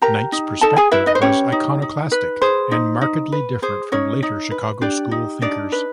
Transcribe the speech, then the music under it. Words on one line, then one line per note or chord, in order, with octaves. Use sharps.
Knight's perspective was iconoclastic, and markedly different from later Chicago school thinkers.
G4 A#4 A#5
D#4
D#4 A4 A5
G#4 G#5
E4 B4 E5
D#4 D#5
C5
C#4 G4 C#5
D#4
D#4
B4
G#4 C5
D#4
D#4
B4
G#4 C5
C#4 D#4 C#5
D#4
B4
D4 G4 D5
D#4
D4 D#4 D5
B4